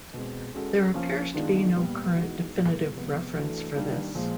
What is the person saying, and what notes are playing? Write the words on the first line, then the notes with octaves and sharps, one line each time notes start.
There appears to be no current definitive reference for this.
B2 G#3 C4
G#3 C#4 F#4 A4
F3 A#3 C#4
D#3 G#3 B3 D4 F4
A#2 G3 B3
E3 G#3 B3 D#4 F#4
A#2 G3 B3 E4 G#4
C3 F3 G#3 B3
E3 A3 D4 F#4 A4
D#3 G3 A#3 D4
A#2 F3 G#3